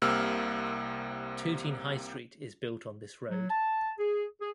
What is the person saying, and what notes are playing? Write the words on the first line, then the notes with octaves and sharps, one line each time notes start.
Tooting High Street is built on this road.
C2 C3 A#3 E6 F6
F#3
A5
G#4
G#4